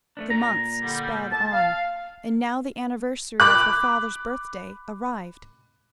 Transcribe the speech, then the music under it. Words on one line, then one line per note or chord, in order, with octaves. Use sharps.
The months sped on, and now the anniversary of her father's birthday arrived.
A3 B3 D4
A#2 A#5
D3 G3
A5
F5
B5 D6 F#6